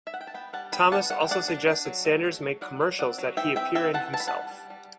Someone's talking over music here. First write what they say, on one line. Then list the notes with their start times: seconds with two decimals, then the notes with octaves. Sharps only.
Thomas also suggested Sanders make commercials that he appear in himself.
0.07 E5
0.14 F#5
0.21 G5
0.27 A5
0.34 B3 G5 B5
0.53 G3 F#5 A5
0.72 B3 G5 B5
0.92 B3 F#5 A5
1.10 G3 F#5
1.20 G5
1.29 D4 D5 F#5
1.48 D4
1.67 D4
1.85 F#3
2.05 A3
2.24 F#3
2.43 F#3
2.61 F#3 D5 F#5
2.80 F#3
2.99 C4 D5 F#5
3.18 F#3
3.37 E3 E5 G5
3.56 C4 E5 G5
3.75 C4 E5 G5
3.94 E3 F#5 A5
4.13 E3 A5
4.20 B5
4.27 G3 F#5 A5
4.51 G3
4.70 G3